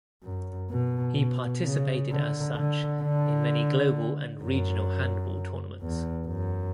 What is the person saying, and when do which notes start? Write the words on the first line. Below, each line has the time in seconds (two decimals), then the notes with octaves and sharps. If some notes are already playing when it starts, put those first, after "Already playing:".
He participated as such in many global and regional handball tournaments.
0.24 F#2
0.70 B2
1.16 B2
1.64 C#3
2.10 D3
2.55 D3
3.02 D3
4.42 F#2
5.82 E2
6.27 F#2